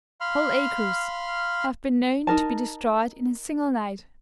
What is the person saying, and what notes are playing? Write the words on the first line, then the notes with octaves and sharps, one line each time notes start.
Whole acres have been known to be destroyed in a single night.
F5 B5 C6 F6
D#4 G#4 A#4 A5